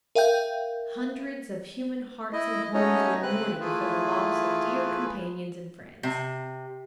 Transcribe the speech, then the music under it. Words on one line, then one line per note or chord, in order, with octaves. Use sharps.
Hundreds of human hearts and homes are in mourning for the loss of dear companions and friends.
A#4 E5 F5 G5 G6
E4 D#5
A3 C#4 D#4 F#4 C#5 D#5
C#3 C4 B4 F#6
E3 A3 E4 F4 G#4 B4
C3